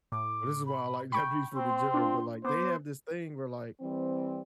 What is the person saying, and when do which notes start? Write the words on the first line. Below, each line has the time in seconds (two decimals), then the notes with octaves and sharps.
but this is why I like Japanese food in general, but, like, they have this thing where, like,
0.12 A2 D6
0.66 B5
1.12 G5 B5 C#6 G6
1.54 C4 C6
1.94 D4 F4
2.45 B3 C5 D6
3.80 E3 G3 C4